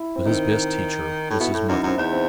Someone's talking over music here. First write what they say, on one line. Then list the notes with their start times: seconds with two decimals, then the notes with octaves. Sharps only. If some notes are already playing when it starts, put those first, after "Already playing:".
But his best teacher was his mother.
Already playing: E4
0.16 C4
0.26 D#3 D#4
1.30 A2
1.40 B2 E4
1.54 A2
1.68 F#2 D#4
1.83 F#2 C4
1.97 E2 D#4
2.11 C4